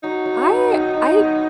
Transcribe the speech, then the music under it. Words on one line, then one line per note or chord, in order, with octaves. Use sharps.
I I
F#3 D#4
F#3
F#3
D#3
F#3
B3